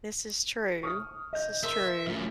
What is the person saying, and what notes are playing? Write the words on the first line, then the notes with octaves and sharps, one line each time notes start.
This is true. This is true.
C#6 D#6 F6
D#5 G6
A#4 E5 C6
F#2 A2